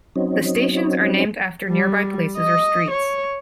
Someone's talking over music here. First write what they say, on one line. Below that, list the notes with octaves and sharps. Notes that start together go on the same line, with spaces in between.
The stations are named after nearby places or streets.
F#3 C4 C#4 D#4
G3
D#5
C#5